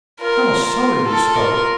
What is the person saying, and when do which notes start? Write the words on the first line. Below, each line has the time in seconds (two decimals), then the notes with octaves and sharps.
I was sorry you spoke.
0.21 F4 A#4
0.64 A#4
1.08 A4
1.36 A#4